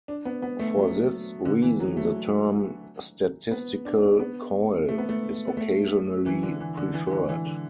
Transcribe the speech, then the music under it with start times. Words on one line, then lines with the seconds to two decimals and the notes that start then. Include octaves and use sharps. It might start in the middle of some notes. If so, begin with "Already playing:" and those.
For this reason, the term "statistical coil" is occasionally preferred.
0.08 D4
0.25 B3
0.42 B3
0.59 A3
0.77 F#3
1.45 D3
1.62 E3
1.80 F#3
1.97 A3
3.51 B3
3.85 D4
4.20 B3
4.89 A3
4.98 B3
5.09 A3
5.48 B3
5.57 A3
6.26 E3
6.43 D3
6.60 E3
6.77 D3
6.94 E3
7.06 E3
7.12 D3
7.29 E3
7.46 D3